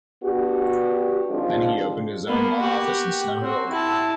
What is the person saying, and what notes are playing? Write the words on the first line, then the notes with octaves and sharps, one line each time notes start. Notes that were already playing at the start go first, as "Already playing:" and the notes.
Then he opened his own law office in Snow Hill.
B3 D4 F#4 G4
D#3 F3 G#3 C4 D4 F4
A#3 B3
F#4 G4
C4 F#4
E4 A5